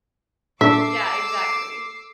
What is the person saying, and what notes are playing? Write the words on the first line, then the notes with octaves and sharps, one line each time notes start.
Yeah, exactly.
A#2 D4 A4 E5 D6 E6 B6 C7